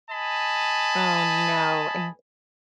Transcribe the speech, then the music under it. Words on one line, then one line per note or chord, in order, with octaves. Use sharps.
Oh, no, and
D#5 G#5 A5 B5